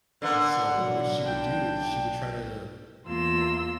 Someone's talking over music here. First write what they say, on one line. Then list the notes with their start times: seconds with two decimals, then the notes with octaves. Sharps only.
and, so, what she would do is she would try to
0.22 D3 A#3 B3 F#5
0.76 A1 B2 F#3
1.24 B1 D4 G5
3.06 E2 A#3 F4 C6 E6